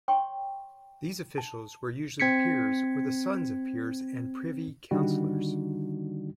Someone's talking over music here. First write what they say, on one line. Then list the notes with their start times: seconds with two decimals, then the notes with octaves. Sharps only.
These officials were usually peers or the sons of peers and Privy Councillors.
0.08 C#5 G5 C6 C#6
1.38 A5
2.20 C4 G#6 B6 C#7
4.91 D3 D#3 G3 D4 D#4 F#4